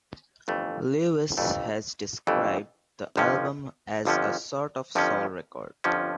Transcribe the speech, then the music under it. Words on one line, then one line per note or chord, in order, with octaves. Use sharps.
Lewis has described the album as a "sort of soul record".
G1 F2 E3 A3
G1 F2 E3 A3
G1 F2 E3 A3
G1 F2 D3 F3 C#4
G1 F2 D3 F3 C#4
G1 F2 D3 F3 C#4
G1 F2 D3 F3 C#4